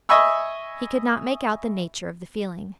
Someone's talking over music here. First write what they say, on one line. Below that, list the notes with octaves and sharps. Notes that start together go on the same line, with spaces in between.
He could not make out the nature of the feeling.
D#5 E5 G#5 B5 C#6 E6